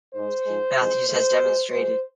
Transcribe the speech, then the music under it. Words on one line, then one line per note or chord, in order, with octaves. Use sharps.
Matthews has demonstrated.
G#2 G#3 C5
G#2 F3 G#3
F2 E3 G#3
A2 G#3 C5
B2 G#3
B2 G#3 C5